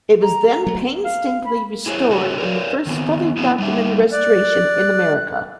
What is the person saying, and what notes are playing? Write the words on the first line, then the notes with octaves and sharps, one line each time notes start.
It was then painstakingly restored in the first fully documented restoration in America.
A#5
F#3 A3
F5
B5
E4 G#4 C5 C#5
D3 F#4 G4 C#5
A#4 C#5 D5
D#3 B3 C4
B3 C4 E4 F4 G#4
G3 D#4 E5
D5 F#6